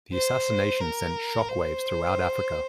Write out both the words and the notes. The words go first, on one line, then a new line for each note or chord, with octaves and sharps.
The assassination sent shock waves throughout Africa.
C5
A#4
C5